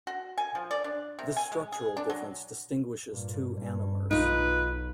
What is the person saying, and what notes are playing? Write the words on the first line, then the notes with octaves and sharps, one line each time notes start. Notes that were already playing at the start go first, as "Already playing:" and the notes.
This structural difference distinguishes two anomers.
F#4
G#5
F3
D5
D4
C3
G#5
G#3
G#4
D4
F#3
G2 A#2
G2
B1 D#4 F4 B4